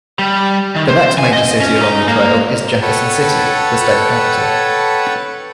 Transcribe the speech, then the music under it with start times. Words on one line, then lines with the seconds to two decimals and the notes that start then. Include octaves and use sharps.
The next major city along the trail is Jefferson City - the state capital.
0.19 G3
0.76 D#3
0.88 C5
1.18 G#5
1.33 D#5
1.60 C#4
1.81 D#4
2.08 A#3
2.82 A4 B4 C#5 F#5 G5 A5